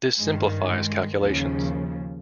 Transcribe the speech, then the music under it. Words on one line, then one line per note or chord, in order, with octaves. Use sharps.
This simplifies calculations.
G2 D#3 G#3
G#3
D#2 C#3 F3